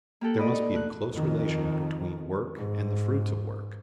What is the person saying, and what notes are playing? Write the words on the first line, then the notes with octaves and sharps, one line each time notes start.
There must be a close relation between work and the fruits of work.
A#3 G4 A4 F#5
D5 D#5 B5
D#4
A3 F#6
F2 D#3
G#2